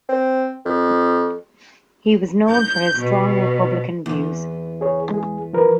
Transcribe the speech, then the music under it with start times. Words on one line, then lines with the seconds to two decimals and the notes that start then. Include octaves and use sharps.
He was known for his strong republican views.
0.09 C4
0.65 F2
2.50 G6
2.99 B2
4.06 E2
4.81 G#4 C#5
5.10 G#3 G#4
5.53 F3 A#4 B4